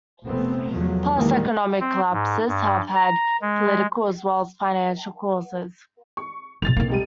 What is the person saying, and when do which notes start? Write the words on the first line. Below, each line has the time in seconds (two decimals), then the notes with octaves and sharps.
Past economic collapses have had political as well as financial causes.
0.25 F1 A#2 A3 B3 C4
0.72 E2 F3 F#3 A3
1.16 A#2 D#3 E3 G3 G#3 A#3
1.80 C4
2.13 G#2
2.48 G2
2.95 A#5
3.42 G#3
6.17 C#6
6.62 F2 B2 A6 F7
6.76 B1 A#3 C4
6.89 F1 G3 D#7